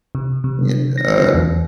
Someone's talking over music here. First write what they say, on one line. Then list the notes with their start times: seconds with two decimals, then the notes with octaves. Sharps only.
Y uh,
0.15 C3
0.44 C3
0.98 A#6
1.34 E2